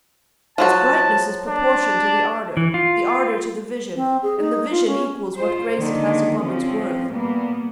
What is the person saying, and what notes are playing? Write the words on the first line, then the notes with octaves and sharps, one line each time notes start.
Its brightness is proportioned to the ardour, The ardour to the vision; and the vision Equals what grace it has above its worth.
F3 F#3 F#4 A5
D4
E3
F4
C4
G#4
D#4
F4
C#4
F4 C5
D3 D#3 F3 A#3
F3 C4 C#4
A#2 G3 A#3 B3